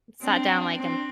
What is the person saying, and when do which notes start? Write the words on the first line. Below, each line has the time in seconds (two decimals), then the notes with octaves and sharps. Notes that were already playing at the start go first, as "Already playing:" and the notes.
sat down, like, and
0.22 C4 D4
0.76 C4 D4